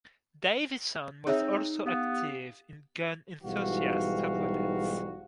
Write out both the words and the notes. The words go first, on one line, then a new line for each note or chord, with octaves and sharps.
Davison was also active in gun enthusiast subreddits.
C4 D#4 G#4 C#5 E5
B3 G4 F5
B1 G#2 E3 G3 F#4 F5